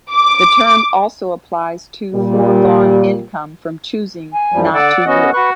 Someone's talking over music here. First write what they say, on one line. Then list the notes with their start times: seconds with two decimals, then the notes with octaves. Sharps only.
The term also applies to foregone income from choosing not to work.
0.11 D6
2.14 A#2 G3
4.32 G#5
4.52 F#2 F3 G3
4.71 D3 D5 F#5 E6
5.06 B3 C#4 F#4 D#5
5.34 F#4 B4 C#6 F#6